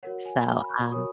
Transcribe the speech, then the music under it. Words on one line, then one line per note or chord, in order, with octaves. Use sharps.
so, um,
F#4 A#4 C#5 F#5
G#5
B5
A#5
B5
C#6
C#6
F#4 A#4 C#5 D#6